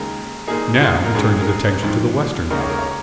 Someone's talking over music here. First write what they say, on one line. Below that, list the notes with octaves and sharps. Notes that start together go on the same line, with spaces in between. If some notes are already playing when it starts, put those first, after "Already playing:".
Now he turned his attention to the western dial.
Already playing: D#2 C#3 G#3 A#4
A#2 A#3 D#4 G#4
G#4
F4
A#4
G#1 G#2 G#3 C#4 G#4
A#4
G#4
G#1 G#2 F3
C#2 C#3 A#3 D#4 A#4
C#5
A#4
C#5